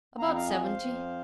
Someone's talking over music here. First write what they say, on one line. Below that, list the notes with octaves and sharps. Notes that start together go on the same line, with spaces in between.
"About seventy."
F2 F3 C4 F5 A#5
F5 A#5
D#5 G#5
C5 F5
F2 F3 C4